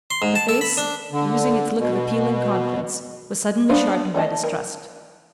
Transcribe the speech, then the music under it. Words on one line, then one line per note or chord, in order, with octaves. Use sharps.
Her face, losing its look of appealing confidence, was suddenly sharpened by distrust.
C6
G#2
A5
A4
B5
D4
D3
B2
G3 B3 D4 C5 F5
A3 D5 D#5 A5
A#4